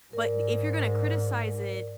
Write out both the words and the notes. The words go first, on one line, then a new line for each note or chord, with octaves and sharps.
but if you're gonna criticize it,
G#2 A#4 D5